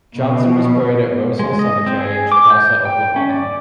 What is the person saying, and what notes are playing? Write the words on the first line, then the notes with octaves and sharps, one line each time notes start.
Johnson was buried at Rose Hill Cemetery in Chickasha, Oklahoma.
B2
G#3
D#5
C4
G#4
D6
G6
G5
C#4
D5